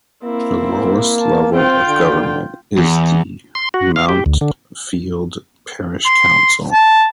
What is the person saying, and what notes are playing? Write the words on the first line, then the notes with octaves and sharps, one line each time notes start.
The lowest level of government is the Mountfield parish council.
A#3 C4 E4
A5
C4 F4 G5
D3
E2
C6
F#4
F5
G4
D2
D3
C6
A5